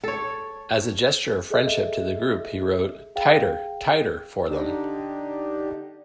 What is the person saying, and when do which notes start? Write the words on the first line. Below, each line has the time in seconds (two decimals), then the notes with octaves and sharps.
As a gesture of friendship to the group he wrote "Tighter, Tighter" for them.
0.04 A4 C#5
1.50 G#4 A4 D#5 E5
3.16 G#4 F5 G5
4.48 D3 D4 D#4 G4